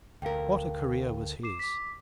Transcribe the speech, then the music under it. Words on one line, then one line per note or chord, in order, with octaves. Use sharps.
What a career was his!
D2 A#4 F5 G5
D6 C7 E7
D6 B6